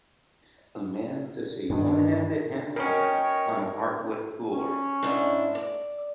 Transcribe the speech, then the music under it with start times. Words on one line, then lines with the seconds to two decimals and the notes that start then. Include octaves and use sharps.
A man does a one handed handstand on a hardwood floor.
1.70 G2 D#3 D4
2.76 B2 C#4 A#4 C#5 D#5 G5
4.52 C#4
5.03 G#2 D4 E4
5.55 D5